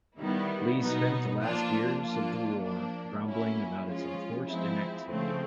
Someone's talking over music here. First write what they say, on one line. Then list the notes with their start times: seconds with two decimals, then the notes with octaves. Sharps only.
Li spent the last years of the war grumbling about his enforced inactivity.
0.18 D#3 G3 B3 E4
0.80 B2 F#3 B3 D#4
1.40 F3 A#3 D4 F4
2.02 F3 A#3 D4 F4
2.62 F3 A#3 D4
3.24 F#3 A#3 C#4 E4
3.85 F3 G#3 C#4 F4
4.47 F3 G#3 C4 E4
5.08 C#3 F3 A3 C4